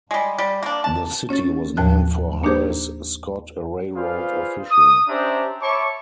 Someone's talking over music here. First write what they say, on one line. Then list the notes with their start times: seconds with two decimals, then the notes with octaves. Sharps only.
The city was named for Horace Scott, a railroad official.
0.11 G3 G#3
0.39 G3
0.63 A#3 D4
0.84 A5
1.29 C#4 C#5 C#6 A6
1.77 D#2 A2 F3 A5 F#6
2.44 A#3 D4 D#4 G4 G#4 C5
3.96 F4 G#4 B4 C5 D5 F5
4.71 D#6
5.09 C#4 D4 G4 C5 E5 A#5
5.62 C#5 E5 A5 B5 C#6 D6